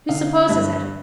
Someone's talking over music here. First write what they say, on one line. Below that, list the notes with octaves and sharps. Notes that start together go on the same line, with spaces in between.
Who supposes it?
D3 F5
G2 E5